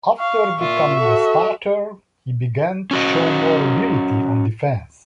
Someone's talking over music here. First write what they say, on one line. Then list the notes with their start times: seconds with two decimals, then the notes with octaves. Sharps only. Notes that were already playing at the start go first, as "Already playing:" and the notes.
After becoming a starter, he began to show more ability on defense.
0.19 F5 C#6
0.60 A#2 F4 E5
1.00 F#4 A4
2.91 C#4 F#4 D#5